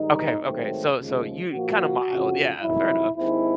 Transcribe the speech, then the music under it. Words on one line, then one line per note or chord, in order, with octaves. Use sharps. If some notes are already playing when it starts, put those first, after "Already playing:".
Okay, okay, so so you kinda mild, yeah, fair enough,
Already playing: G#2 D#3 G3 D#4
G#2 D#3 F#3 A3 C4
D#2 C#3 F3 G#3
A#2 F3 A#3 F#4
F2 C#3 F3
F2 C3 D#3 F#3 E4
D#2 D#3 G#3 C4 E4